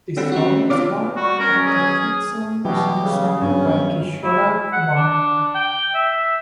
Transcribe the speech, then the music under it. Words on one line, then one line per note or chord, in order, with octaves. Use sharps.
This song was one of the hit songs sung by Kishore Kumar.
D3 G3 C4
C#4 F#4
C3 D4 F4 D6
G3 F#4 C#6
B2 F#3 C#4 A#4
G#4
B2 E3 F#3 G3 G4
C#3
G2 F#3 B3 C#4
E4
F#5
D4
G5
E5